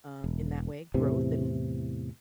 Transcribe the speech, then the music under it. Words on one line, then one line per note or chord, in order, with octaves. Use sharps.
um, in that way, growth and
E1
E2 A2 C3 E3